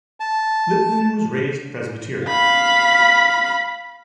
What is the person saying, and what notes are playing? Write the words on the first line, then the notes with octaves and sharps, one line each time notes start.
Lippman was raised Presbyterian.
A5
F5 B5